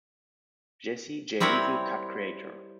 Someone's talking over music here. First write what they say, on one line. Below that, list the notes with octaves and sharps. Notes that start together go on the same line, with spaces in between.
Jazzy Jay-even Cut Creator.
G3 C4 E4 A#4 C#5 F#5